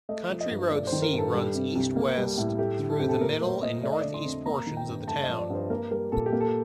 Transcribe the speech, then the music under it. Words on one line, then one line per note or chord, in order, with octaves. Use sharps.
County Road C runs east-west through the middle and northeast portions of the town.
A3 D#5
F3
D#5
G2
A3 D5
C5
D#3
A#4
G2
A4
G3
C3
C2
A#3
G3
A2
A3 G4
D3
A4
F2 G4
A4
A#2 A#4
A3 C5
A#2 D#5
A3 D5
D#5
D3 D5
C6
F2
A#3 A#5
D#3
G5
G2
A3 A5
D#5
F3
D5
G2 C5
A#3 A#4
G3 A#4
A#2 A4
G4
A#3
A4